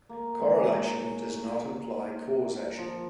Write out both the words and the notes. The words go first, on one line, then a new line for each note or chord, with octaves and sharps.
Correlation does not imply causation.
A#3
G#3
F#3
F3